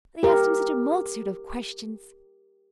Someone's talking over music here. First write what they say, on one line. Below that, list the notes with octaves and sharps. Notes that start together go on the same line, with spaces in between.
They asked him such a multitude of questions!
G4 A#4